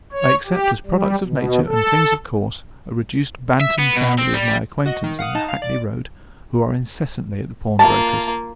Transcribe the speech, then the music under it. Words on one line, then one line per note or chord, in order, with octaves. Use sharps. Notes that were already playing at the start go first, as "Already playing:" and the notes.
I accept as products of Nature and things of course, a reduced Bantam family of my acquaintance in the Hackney-road, who are incessantly at the pawnbroker's.
C#5
G4
G3
B2
A4
E5
B3
B2
C4
G3
F#4 D#5
D#3
F5 F#5 D#6
D#4 A5
F5 F6
D5
A#3 F4 A5